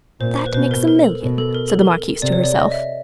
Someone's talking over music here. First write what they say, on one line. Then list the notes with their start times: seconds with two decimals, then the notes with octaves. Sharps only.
"That makes a million," said the marquise to herself.
0.20 A#2 C5
0.37 C5
0.46 B4
0.54 B2 C5
0.71 A#4
0.88 A#4
1.04 A4
1.21 B2
1.38 A4
1.55 A#4
1.68 A4
1.81 A#4
2.22 C3 D5
2.32 C#5
2.44 D5
2.55 D#5
2.72 E5